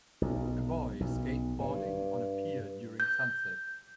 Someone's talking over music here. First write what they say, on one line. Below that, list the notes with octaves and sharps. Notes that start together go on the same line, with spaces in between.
A boy skateboarding on a pier during sunset.
B1
B1
G2
G6